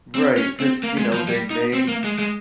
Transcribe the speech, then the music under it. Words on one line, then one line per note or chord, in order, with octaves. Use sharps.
Right, 'cause, you know, they may
C4
C#4
C4
A#3
G#3
F3
G3
D#4
C4
A#3
G#3
G#3